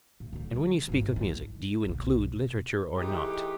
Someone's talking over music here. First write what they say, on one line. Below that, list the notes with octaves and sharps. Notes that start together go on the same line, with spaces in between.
And when you speak of music, do you include literature or not?
A2
D3 G3
G#1 F#2
D#4 E4
B1 D3
F#2 B2
E3 G#3 A3 D#4 G4